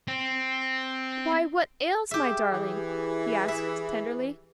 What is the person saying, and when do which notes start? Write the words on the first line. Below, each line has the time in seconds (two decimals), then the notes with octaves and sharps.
"Why! what ails my darling?" he asked tenderly.
0.08 C4
2.11 G4 G#4 E5
2.52 E3
3.48 E5